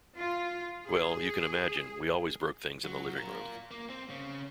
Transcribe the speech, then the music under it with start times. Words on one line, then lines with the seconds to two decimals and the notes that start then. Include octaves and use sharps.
Well, you can imagine, we always broke things in the living room.
0.18 F4
0.87 G#4
2.84 F#3
3.17 F4 A#4
3.71 A#3
3.90 C4
4.10 C#3